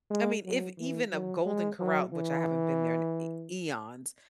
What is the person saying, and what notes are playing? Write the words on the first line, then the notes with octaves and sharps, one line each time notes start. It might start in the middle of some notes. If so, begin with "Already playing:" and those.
I mean, if even a Golden Corral- which I haven't been there in e eons-
G#3
F#3
E3
F#3
G#3
F#3
E3